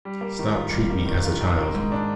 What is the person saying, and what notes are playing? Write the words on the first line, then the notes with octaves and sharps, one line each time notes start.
Stop treat me as a child.
G3
A#3
D#3
F4
G3
A#3
D#3
F4
D#3
A#3
G#2
D4